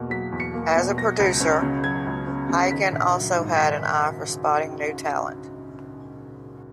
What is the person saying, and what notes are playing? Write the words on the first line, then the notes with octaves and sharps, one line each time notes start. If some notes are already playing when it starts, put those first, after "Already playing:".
As a producer, Hiken also had an eye for spotting new talent.
Already playing: E2 B2 A#3
F#3 B6
E2
C#7
A#3
B2
F#3 A#6
C#2
C#4
C#3
F#3 G#6
C#2
C#4
C#3
D#3 B6
A#1
F#3
G#2
D#3 B6